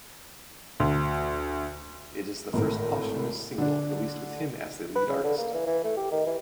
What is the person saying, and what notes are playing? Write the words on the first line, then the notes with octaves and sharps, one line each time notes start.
It is the first posthumous single released with him as the lead artist.
D2
G#1 A2 A#4
D3 D4
B4
C#3
D3
A#3
E3
E3
A3
G4
D#3
E3